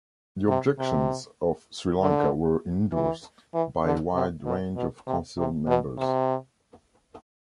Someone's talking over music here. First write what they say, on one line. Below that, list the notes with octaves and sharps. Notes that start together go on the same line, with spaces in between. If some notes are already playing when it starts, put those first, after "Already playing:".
The objections of Sri Lanka were endorsed by a wide range of Council members.
C3
C3
D3
E3
E3
D3
C3
B2
B2
C3
C3
B2
C3